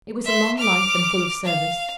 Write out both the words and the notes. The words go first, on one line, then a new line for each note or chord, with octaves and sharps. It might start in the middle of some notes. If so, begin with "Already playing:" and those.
It was a long life and full of service.
E5 C6
D6 F6
F5